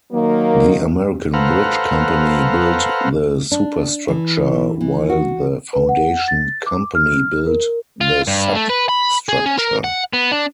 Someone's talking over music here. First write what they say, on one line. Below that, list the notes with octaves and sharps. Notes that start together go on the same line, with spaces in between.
The American Bridge Company built the superstructure; while the Foundation Company built the substructure.
D#3 F#3 A#3
A4 B4 C5 F5 F#5 A#5
D4
E3
E3
F#4
B4
F#5
A6
D6
F6
A#4
F4
G2
A3
B4
B5
G#4
C#4
A#4
F#5
B3
D4